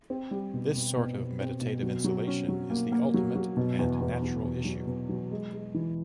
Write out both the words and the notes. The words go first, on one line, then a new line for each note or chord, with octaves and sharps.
This sort of meditative insulation is the ultimate and natural issue.
C4
G3
B2
B2
B2
B2
C4
B2
F#3
F#3
C#4
F#3
A#3
A#3
F#3
F#3
B2
E2
E2
E2
E2
F#3
B2
F#3
G#3
G#3
E3